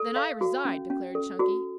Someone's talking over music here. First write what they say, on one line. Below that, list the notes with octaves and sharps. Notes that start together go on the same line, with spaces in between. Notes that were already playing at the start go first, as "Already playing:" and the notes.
"Then I resign," declared Chunky.
Already playing: A4
F5
F#4
C#4
C#4
A4
F#4